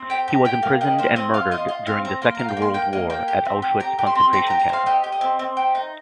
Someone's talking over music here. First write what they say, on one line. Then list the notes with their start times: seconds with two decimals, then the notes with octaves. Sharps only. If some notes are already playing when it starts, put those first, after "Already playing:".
He was imprisoned and murdered during the Second World War at Auschwitz concentration camp.
Already playing: C4
0.10 G4 G5
0.28 G4 A#5
0.45 G4 G5
0.63 A#3 F5
0.81 G4 D#5
0.98 A#3 C5
1.16 C4 D#5
1.34 F4 F5
1.51 F4 D#5
1.68 F4 D#5
1.86 C4 F5
2.05 C4 A#5
2.22 A#3 C6
2.35 A#5
2.39 F4
2.48 G5
2.57 A#3
2.62 C6
2.74 A#3 G5
2.93 A#3 D#5
3.10 A#3 G5
3.28 G4
3.45 C4
3.62 G4
3.80 G4 A#5
3.99 G4
4.07 C6
4.15 C4
4.33 G4 A#5
4.47 G4 A#5
4.59 A#5
4.69 C4 F5
4.86 G4 D#5
5.04 G4
5.12 D#5
5.21 C4
5.39 C4
5.57 G4
5.75 D#4